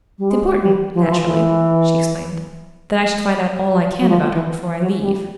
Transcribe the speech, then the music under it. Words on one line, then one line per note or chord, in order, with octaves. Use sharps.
"It's important, naturally," she explained, "that I should find out all I can about her before I leave."
G3
G#3
G3
F3
E3
F3
E3
F#3
F3
E3
F#3
G#3
G3